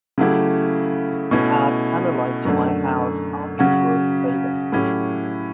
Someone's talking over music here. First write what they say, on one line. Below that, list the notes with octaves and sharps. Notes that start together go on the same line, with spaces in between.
Add Candlelight to my House Afterwork playlist.
C#3 F#3 A3 E4 G4
B2 A3 C#4 E4
F#2 D3 A3
C#3 F#3 C#4 F#4
A2 F#3 C#4 E4 G4